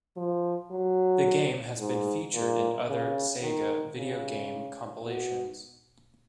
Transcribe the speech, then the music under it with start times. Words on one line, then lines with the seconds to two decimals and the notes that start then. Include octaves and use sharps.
The game has been featured in other Sega video game compilations.
0.17 F3
0.71 F#3
1.80 G#2
2.34 A#2
2.88 C#3
3.42 D#3
3.96 C#3
5.05 B2